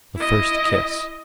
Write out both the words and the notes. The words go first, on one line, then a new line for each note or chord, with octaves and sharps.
The First Kiss.
E4 D#5